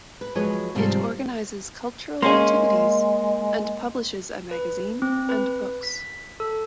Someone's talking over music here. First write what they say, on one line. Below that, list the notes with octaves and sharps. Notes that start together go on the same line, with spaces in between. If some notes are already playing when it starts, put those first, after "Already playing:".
It organizes cultural activities and publishes a magazine and books.
B4
F3 F#3 G#3 B4 C#5
G#2 C3 F3 G3
G#3 A#3 C#4 G#4 C6
B4
C4
B4
B6
A4